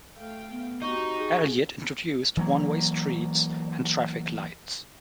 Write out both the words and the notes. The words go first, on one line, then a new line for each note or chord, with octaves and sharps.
Elliott introduced one-way streets and traffic lights.
A3 F5 G5
B3
C4 D#4 F#4 G4 C#6
G#4
E3 F#3 A#3